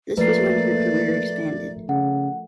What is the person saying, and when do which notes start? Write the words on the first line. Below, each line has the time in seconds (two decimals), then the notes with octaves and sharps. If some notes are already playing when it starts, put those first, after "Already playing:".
This was when her career expanded.
0.17 F3 A3 A#3 A#4 B4 D5 C7
1.89 C#3 F#5